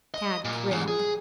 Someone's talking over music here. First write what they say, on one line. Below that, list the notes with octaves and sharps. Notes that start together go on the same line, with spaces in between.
Tad grinned.
D#5
A#2
E2 G#2
G#4